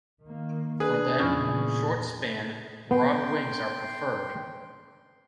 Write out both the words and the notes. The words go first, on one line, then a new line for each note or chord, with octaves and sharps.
For them, short-span, broad wings are preferred.
D#3 A#3
D4 G#4 B4
E2 A#2 C#3 C#4 E4 F4
B3 G5 C6